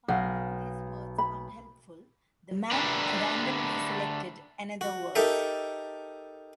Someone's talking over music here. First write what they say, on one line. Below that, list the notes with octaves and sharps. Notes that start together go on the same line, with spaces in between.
Finding these words unhelpful, the man randomly selected another verse.
B1 F5 F#5 A#6
B5
D3 A3 D4 G4 A#4 B4
F#4
D#4 G4 A4 A#4 E5